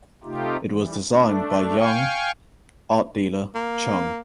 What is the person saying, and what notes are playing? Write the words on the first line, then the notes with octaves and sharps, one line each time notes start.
It was designed by Jung "Art Dealer" Chung.
C3 A3 D#4 F4 G4
E3 G3
A3 D4
F5 G5 G#5 C#6
A#3